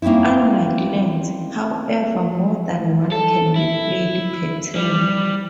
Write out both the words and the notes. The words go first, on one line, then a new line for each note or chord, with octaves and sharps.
Unlike lands, however, more than one can be played per turn.
A#3 C4 C#4 D#4 E4
A4
E4
G3